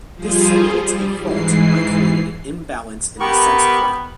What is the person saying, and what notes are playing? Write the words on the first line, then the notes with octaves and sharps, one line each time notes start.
This simulates a fault by creating an imbalance in the sense coil.
F3 G3 F4 G#4 C5
G3
G#2 E3 C7
B3 G4 A#4 C#6